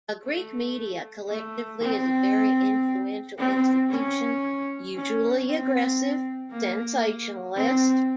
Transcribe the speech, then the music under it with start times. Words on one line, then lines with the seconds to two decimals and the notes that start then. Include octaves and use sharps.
The Greek media, collectively, is a very influential institution - usually aggressive, sensationalist.
0.24 A3
1.29 A3
1.80 C4
3.38 C4
3.90 C#4
4.95 C#4
5.47 C4
6.51 A#3
7.56 C4